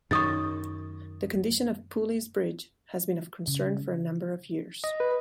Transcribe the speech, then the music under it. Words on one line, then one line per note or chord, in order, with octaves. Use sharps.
The condition of Pooley's Bridge has been of concern for a number of years.
F#2 D#3 C#6 D#6 A6
C#3
D#5
B4